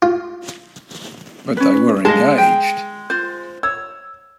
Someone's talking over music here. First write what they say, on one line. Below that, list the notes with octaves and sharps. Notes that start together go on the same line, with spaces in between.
But they were engaged.
F4
C#4 B4
G#3 D#5 F5 A5
G5
F4 C5
C#5 E6